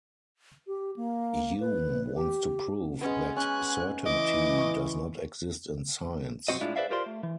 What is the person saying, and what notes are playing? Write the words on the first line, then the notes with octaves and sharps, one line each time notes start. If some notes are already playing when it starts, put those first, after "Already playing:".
Hume wants to prove that certainty does not exist in science.
G4
A#3
B4
G4
G#3 B3 C#4
C#4 G#5 F#6
E3 D#5 D6
C#6
B1 E2 C4 F#4 D#5
A2 G#3 D4 E4 F4
G#4 B4 C5 D5 E5 F5
F4 G4 A#4 C5 D5 C6
A3
E3